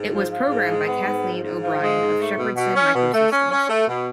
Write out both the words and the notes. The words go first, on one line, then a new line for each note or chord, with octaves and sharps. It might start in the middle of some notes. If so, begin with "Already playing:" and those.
It was programmed by Kathleen O'Brien of Shepardson Microsystems.
Already playing: G#2
F3
F3
G#2
G#3
B3
G#2
F3
G#2
F3
G#3
G#2
A3
B2
B2
C#4
B2
A3
C#4
C#4
A3
B2